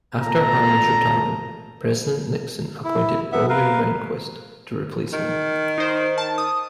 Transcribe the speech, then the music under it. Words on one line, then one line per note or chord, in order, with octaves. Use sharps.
After Harlan's retirement, President Nixon appointed William Rehnquist to replace him.
G#1 A#2 A4 A5 A#5
E4
B3 E5
A#4 B4 F5
D#3
D#4 C5
A5
D#6